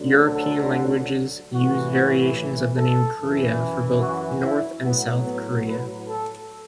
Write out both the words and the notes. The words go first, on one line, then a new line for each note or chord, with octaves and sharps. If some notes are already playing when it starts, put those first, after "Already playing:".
European languages use variations of the name "Korea" for both North and South Korea.
Already playing: D2 D3 F#3
A4
A2 E3 F#4
A4
F#2 E3
F#4
E4
A2 F#3 B3
B3
B4
A4